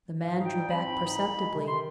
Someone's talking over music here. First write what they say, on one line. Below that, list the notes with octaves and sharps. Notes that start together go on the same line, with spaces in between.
The man drew back perceptibly.
G#2 F5
D#4
G5
G3
C4 B5
G#2
D#4
C2
G#3
C3
D#3 C6